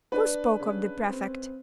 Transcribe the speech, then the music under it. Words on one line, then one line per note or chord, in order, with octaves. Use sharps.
'Who spoke of the prefect?
D4 B4
C#3
C4